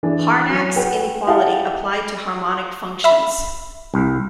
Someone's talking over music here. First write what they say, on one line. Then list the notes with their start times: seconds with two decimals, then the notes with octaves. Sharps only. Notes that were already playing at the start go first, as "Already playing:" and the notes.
Harnack's inequality applied to harmonic functions.
0.03 E3 D4 G#4
0.50 F#3
0.76 G#4 B4 F#5 G5
1.27 E4 G4 F5 F#5 A5
3.04 E5 B5
3.94 C2